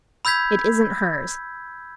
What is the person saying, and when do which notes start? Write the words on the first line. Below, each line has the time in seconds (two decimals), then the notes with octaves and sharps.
It isn't hers!
0.25 B5 E6 G6 G#6 B6